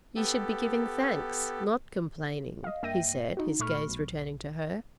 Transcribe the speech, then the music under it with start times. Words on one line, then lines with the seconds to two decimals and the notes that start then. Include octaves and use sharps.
"You should be giving thanks, not complaining," he said, his gaze returning to her.
0.16 B3 G4 A4
2.64 D#5 F5
2.83 G2 A#3 E5 G5 A#6 D#7
3.37 D#4 F#4
3.59 A#2 A3 B5 C#6 F6
3.89 B1